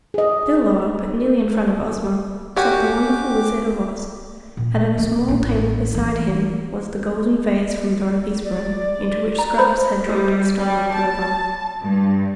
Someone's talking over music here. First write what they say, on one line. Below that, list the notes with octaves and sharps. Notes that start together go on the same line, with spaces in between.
Still lower, but nearly in front of Ozma, sat the wonderful Wizard of Oz and on a small table beside him was the golden vase from Dorothy's room, into which Scraps had dropped the stolen clover.
G#4 D#5
C#4 F#4 G4 D6
A#2
A3 A#3
A1 E4
E3 A3
D5
A#5
B4 C5 B5
G3
G3
A5
G2